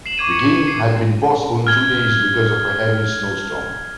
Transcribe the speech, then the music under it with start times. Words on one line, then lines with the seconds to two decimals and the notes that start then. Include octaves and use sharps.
The game had been postponed two days because of a heavy snowstorm.
0.06 C7 E7 F#7
0.18 C#6 D6 G#6 D#7
0.32 C#7
0.68 C7
1.67 F6 G#6 G7